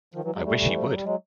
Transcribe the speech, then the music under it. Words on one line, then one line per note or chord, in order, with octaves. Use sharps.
I wish he would!
D#3 F3
E3 F#3
F#3 G#3
G3 A3
E3
F3
F#3
G3
F#3 G#3